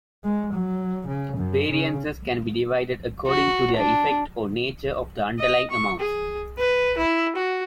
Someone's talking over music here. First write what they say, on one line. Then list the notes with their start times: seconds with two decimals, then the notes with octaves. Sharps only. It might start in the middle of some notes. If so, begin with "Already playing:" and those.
Variances can be divided according to their effect or nature of the underlying amounts.
0.24 G#3
0.54 F#3
1.08 C#3
1.37 F#2
1.71 C#3
3.28 F#4
3.76 D4
5.39 D#5
5.70 C#6
6.00 G#4
6.58 B4
6.97 E4
7.36 F#4